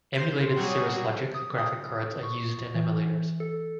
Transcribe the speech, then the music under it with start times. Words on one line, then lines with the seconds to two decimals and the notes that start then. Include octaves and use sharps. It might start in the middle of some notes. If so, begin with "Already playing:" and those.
Emulated Cirrus Logic graphic cards are used in emulators.
0.17 C5
0.56 F#3 G3 F#4 G#4
1.34 D#6
1.58 D#6
2.23 C#6
2.75 E3
3.40 A4